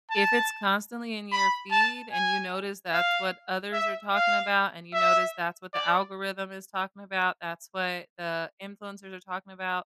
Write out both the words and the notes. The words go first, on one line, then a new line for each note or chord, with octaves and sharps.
if it's constantly in your feed and you notice that's what others are talking about and you notice that's what the algorithm is talking about, that's what the influencers are talking about,
A5
B5
A5
G#5
F5
E5
F5
E5
D5